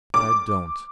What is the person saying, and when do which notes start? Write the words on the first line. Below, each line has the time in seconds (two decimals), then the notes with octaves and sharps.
But I don't.
0.14 D6